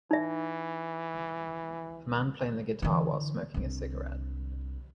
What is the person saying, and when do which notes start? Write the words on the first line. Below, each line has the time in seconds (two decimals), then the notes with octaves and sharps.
A man playing the guitar while smoking a cigarette.
0.11 E3 D#4 E5
2.82 D3 E3
3.54 C2 D4